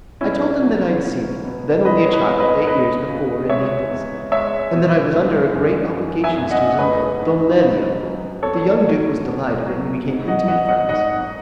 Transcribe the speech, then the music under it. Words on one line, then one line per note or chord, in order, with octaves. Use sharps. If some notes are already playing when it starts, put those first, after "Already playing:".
I told him that I had seen him, then only a child, eight years before in Naples, and that I was under great obligations to his uncle, Don Lelio. The young duke was delighted, and we became intimate friends.
B2 C#4 E4
F#3
B2
B2
G#3 B4 D#5
C#5
B4 D#5
E2
B4 D#5
E2 B4 D#5
C#3
G#3 C#5 E5
E2
G#3 C#5 E5
B2
G#3
F#2
D#3
E5 G#5
F#2
D#5 F#5
A3 B4 D#5
G#2
F#3
F#3
E2 A4 C#5
F#3
B2
F#3
G#2
D#5 F#5
F#3 D#5 F#5
D#5 F#5
G#2 D#5 F#5